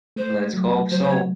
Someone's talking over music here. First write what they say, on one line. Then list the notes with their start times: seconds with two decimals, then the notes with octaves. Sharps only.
Let’s hope so.
0.16 A3 C5
0.53 F#3
0.91 F#3 C5
1.02 C5
1.09 C#5